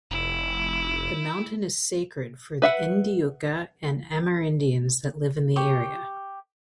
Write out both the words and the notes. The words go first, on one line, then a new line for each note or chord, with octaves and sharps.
The mountain is sacred for the Ndyuka and Amerindians that live in the area.
F1 E4
B4 E5 F#5
G4 C#6